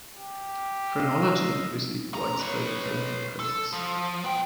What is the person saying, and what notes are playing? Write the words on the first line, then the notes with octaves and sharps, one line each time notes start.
"Phrenology" received widespread acclaim from critics.
G4
D#5 F5 E6
D#2 A#5
B4 C#5
A4
F3
B3 G5